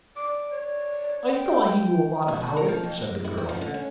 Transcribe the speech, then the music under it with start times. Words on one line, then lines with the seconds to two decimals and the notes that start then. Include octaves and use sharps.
"I thought he knew a lot about it," said the girl.
0.16 D5 D6
0.52 C#5
1.33 G5
2.28 B2
2.40 F#4
2.56 A#4
2.68 F3
2.83 F2
2.98 A#3
3.24 E4
3.37 C4
3.49 F3
3.61 D3
3.74 C#4